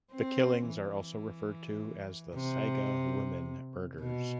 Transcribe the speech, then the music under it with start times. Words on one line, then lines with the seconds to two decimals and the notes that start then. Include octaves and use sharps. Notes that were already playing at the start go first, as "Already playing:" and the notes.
The killings are also referred to as the Saga Women Murders.
0.12 C4
0.69 E3
2.34 C3
3.99 B2